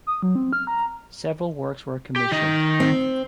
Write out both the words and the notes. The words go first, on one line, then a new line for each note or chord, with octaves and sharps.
Several works were commissioned.
D#6
F#3
C4
F6
A#5
G4
D#3 D#5
C4